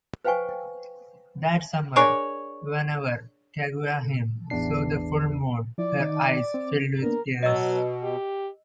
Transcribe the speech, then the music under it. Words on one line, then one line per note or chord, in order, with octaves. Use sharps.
That summer, whenever Kaguya-hime saw the full moon, her eyes filled with tears.
B4 C5 F5 G5 G#5 C#6
D4 G#4 A#4 C#5
A1 E2 E3 B3 D4 C7
F3 E4 D5
D#3 D#4
C4
A#3 B3 D4 A#4
B2 F#3 D#5 E6
G4